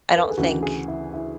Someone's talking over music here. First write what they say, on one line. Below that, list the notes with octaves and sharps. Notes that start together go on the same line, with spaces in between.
I don't think
B4
A4
G#4
D2 C#3 E3 F#4
G#4
E4
E4